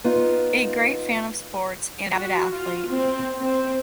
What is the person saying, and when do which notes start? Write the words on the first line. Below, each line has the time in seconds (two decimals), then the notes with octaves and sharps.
A great fan of sports, and an avid athlete.
0.04 B3 D#4 F4
2.14 F#4
2.52 F4
2.90 C4
3.40 C4